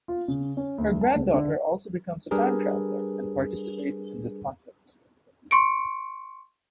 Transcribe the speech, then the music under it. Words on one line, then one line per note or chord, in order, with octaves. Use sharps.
Her granddaughter also becomes a time-traveler and participates in this conflict.
F4
C#3
C#4
D2
A5
C#2
D3
G3 D4 G4 G#4 A#4 B4
C6 C#6 C#7 D7